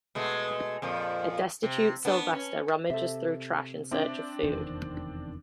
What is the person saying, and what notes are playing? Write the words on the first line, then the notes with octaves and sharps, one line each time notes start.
A destitute Sylvester rummages through trash in search of food.
B2 G#3 A3
F2 A#2 F3
C3
B3 D4
C#4
C3 A4 C5 E5
C4 D4 E5
F1 E2 D#3